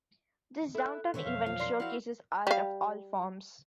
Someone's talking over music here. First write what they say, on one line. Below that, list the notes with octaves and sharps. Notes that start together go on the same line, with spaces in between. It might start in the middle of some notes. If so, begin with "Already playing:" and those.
This downtown event showcases art of all forms.
E4 A4 E5 F#6
A#2 D3 D#3 C5 C#5 E5
B1 F2 F5
F3
A#4 C5 D5 C6 C7
E4 F#4 F5 F#5
G3 F5